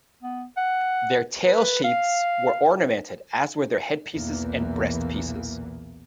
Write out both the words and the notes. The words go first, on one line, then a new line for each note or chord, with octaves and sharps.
Their tail sheaths were ornamented, as were their headpieces and breastpieces.
B3
F#5
B4
F5
B1 E2 A#2 E3 A#3